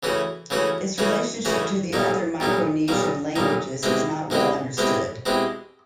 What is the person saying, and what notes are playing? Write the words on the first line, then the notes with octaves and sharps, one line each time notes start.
Its relationship to the other Micronesian languages is not well understood.
C#3 E3 A3 C#4 F#4
C#3 E3 A3 C#4 F#4
C#3 E3 A3 C#4 F#4
C#3 E3 A3 C#4 F#4
B1 A#2 G3 A#3 D#4
B1 A#2 G3 A#3 D#4
B1 A#2 G3 A#3 D#4
B1 A#2 G3 A#3 D#4
B2 G#3 C4 E4 G4
B2 G#3 C4 E4 G4
B2 G#3 C4 E4 G4
B2 G#3 C4 E4 G4